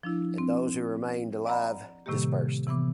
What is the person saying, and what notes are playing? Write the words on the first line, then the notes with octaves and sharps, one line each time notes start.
Those who remained alive dispersed.
F3 D4 E4
C4
D5 D#5 F#5 A#5 B5
A2 C3 D#3 G3 A#3 G4
C3 E3 B3 D6